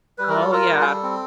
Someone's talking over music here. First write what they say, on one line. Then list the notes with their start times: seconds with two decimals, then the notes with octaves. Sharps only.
Oh, yeah.
0.18 G3 B4
0.29 A#4
0.36 F4 A4
0.52 F4 A#4
0.69 G3
0.81 G#4
0.86 G3 A4
1.03 C4